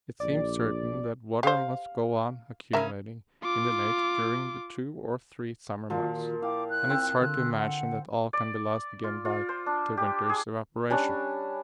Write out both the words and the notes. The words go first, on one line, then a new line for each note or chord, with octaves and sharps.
It seems certain that water must go on accumulating in the lake during the two or three summer months, and it is hard to imagine that all can be lost again by the winter's evaporation.
A#1 D5
G4 C5 F5
C#3 C#4 A#4 E5
F4 D6
A#2 D#3 F3 F4 F#4
E4 F5 G5 D6
F#6
C4
D3 F#6
F#5
D5
F4
F4
C5
D4
G4
G#4
G3 C#4 D4